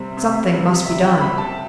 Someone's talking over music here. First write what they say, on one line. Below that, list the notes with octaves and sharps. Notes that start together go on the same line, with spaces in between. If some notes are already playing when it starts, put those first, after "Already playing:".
Something must be done.
Already playing: C3 G3 C4 E5
C3
G3 C4
C3 E5
G5
G3 C4 B5
A5